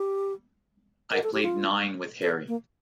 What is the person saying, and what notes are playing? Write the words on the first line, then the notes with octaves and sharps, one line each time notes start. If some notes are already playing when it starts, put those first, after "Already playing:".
I played nine with Harry.
Already playing: G4
A#4
A4
G4
F4
A4
A#3